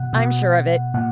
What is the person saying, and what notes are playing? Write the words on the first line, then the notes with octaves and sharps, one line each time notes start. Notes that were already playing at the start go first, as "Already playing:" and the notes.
I'm sure of it.
Already playing: B2 F#5
B2
A#2 F#5